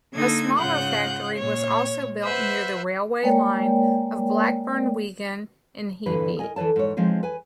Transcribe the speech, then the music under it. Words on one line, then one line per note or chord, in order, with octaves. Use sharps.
A smaller factory was also built near the railway line of Blackburn-Wigan in Heapey.
D3 A#3 D#4 A4 G#6
G#2 C#3 F4 F#5 F#6 G6
A#2 C#5
B4 C5 E5 F#5
G#3 A#3 A#4 C#5 D5 G5
G2 A#2 D3 E3 B4
A#4 D5 D#5 G#5
E3 A4 B4 C#5 A5
G#2 C#5
F3 G#3 C4 D#4
B4 G#5